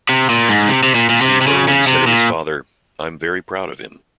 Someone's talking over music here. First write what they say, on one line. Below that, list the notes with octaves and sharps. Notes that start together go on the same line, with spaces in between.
Steve Irwin said of his father: I'm very proud of him.
C3
A#2
G#2
C3
C3
A#2
A#2
C3
C3
C#3
C#3
C3
A#2